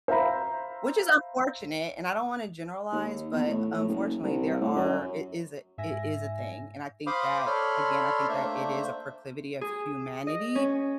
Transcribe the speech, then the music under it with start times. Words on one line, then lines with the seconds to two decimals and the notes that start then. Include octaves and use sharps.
Which, is unfortunate, and I don't wanna generalize, but, unfortunately, there are it is a it is a thing, and I think that again, I think that it is a proclivity of humanity,
0.08 C5 E5 F5 A#5 B5
2.92 D#2
3.32 E2
3.47 A2
3.71 A2
3.88 F#1
4.23 C2
4.60 A2
4.76 F#2
5.78 G#2 E5 G#5 A#6
7.07 C5 F5 B5 C6 D6 D#6
7.46 A4 C#5 D5 B5 C6 F6
8.29 A3 A#3 D4 C5 E5
9.61 G#4
10.27 D#5
10.55 C#4